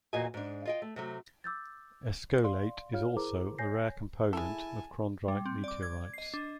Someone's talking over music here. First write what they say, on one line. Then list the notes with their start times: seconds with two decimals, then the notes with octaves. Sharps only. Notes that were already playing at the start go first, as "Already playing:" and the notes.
Eskolaite is also a rare component of chondrite meteorites.
0.13 E2 A#2 F4 F#4 D#5 G#5
0.34 G#2 D4
0.65 F4 D#5 G5
0.82 A3
0.96 C3 F#3 A3
1.44 D6 E6 G6 A6
2.44 D5 F5 C6
2.92 F4 C#5 F5 F6
3.17 E4 G#4 A#4 C5 A#5 D6
3.58 C#5 G#5 G6 A#6 C7
4.33 G#3 E4 A4 G#5 A5
5.28 G3
5.46 C4
5.64 D5 D6
5.83 G#6
6.14 D#5 C7
6.34 D4